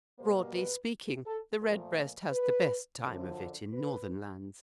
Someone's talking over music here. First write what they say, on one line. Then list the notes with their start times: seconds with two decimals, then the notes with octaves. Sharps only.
Broadly speaking, the redbreast has the best time of it in northern lands.
0.19 B2 G3 A#3 C5
0.55 B4
1.26 A4
1.61 A#2 F3 A3 A#4
2.32 B4
3.03 F#2 D3 F3
3.74 B4